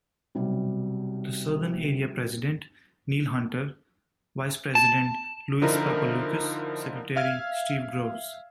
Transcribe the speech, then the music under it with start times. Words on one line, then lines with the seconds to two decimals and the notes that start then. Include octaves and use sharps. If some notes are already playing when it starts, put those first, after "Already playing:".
The Southern Area President: Neil Hunter, Vice President: Louis Papaloukas, Secretary: Steve Groves.
0.35 B1 C3 G3
4.75 A5
5.62 D3 F3 D#4 E4 A#4
7.16 E5 F5 F6 G#6